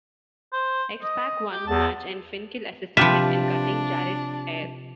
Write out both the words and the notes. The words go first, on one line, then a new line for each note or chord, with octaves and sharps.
X-Pac won the match and Finkel assisted him in cutting Jarrett's hair.
C5
D#5
G4
E2 A5
C3 F3 D4 F4 G4 B4 E5